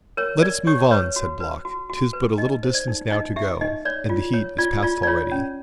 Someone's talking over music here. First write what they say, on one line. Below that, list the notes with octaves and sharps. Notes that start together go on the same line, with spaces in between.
'Let us move on,' said Block; 'tis but a little distance now to go, and the heat is past already.
A#4 C#5
A#4 D5
G4 C#5
B4 C#5
F#4
B4
F#4
F#4
B4
D#4 D#5
C5
D5
D#4
D#4 D#5
G4 E5
D#4 D#5
C#5 D5
F4
C#5
F4 D5
F4 D5
D5
F4 C#5
C#4